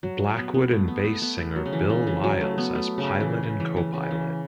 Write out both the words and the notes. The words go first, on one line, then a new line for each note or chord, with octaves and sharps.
Blackwood and bass singer Bill Lyles as pilot and co-pilot.
F#3
B3
B3
A3
B3
A3
B3
A3
F#3
C#3
E3
C#3
E3
F#3
A3
B3
A3
C#3
E3
E3
E3
E3
C#3
E3